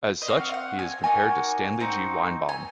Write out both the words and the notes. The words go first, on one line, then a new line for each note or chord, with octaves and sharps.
As such, he is compared to Stanley G. Weinbaum.
D#5
C4 F#4 F5
F5
F#5
G#5
A#3 D#4 F#4 G#5
C4 D#4 F#4
G#5